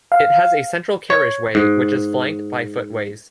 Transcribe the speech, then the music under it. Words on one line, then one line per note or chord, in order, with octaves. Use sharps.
It has a central carriageway, which is flanked by footways.
F5
C#5
G#2